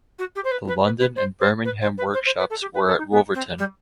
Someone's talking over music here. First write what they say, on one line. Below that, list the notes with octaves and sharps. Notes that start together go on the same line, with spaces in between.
The London and Birmingham workshops were at Wolverton.
F#4
G4
C5
B4
B4
B4
B4
C5
C5
B4
C5
B4
C5
C5
B4
A4
G4
B4
A4
D#4
B3
C4
G3